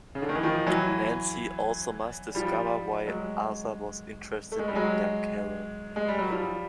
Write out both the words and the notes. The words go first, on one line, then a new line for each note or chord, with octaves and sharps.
Nancy also must discover why Asa was interested in young Carol.
C#3
D3
D#3
E3
D#3 F3
E3 F#3
F3 G3
F#3 G#3
A3
G#3
G3
F#3 G#3
G#3
G3
F#3
F3 G3